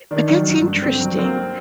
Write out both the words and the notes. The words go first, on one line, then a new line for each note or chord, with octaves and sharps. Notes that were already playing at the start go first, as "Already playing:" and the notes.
but that's interesting.
D#3 D4
F#3
G2
G2
D3 C4
F#3
A#3 C4